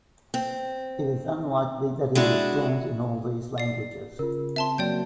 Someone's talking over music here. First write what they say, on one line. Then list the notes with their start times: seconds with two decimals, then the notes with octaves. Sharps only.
It is unlikely that he was fluent in all these languages.
0.34 C4
2.15 G#3 D4 E4 F#4
3.58 D5 C7
4.19 C#3 F4 A#4
4.56 C4 E5 A5 C6
4.78 F#3 A#3 D5 G5 A5 G6